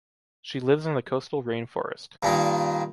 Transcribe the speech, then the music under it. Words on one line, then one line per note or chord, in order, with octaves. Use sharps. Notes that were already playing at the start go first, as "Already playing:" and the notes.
She lives in the coastal rainforest.
G2 A#2 D#3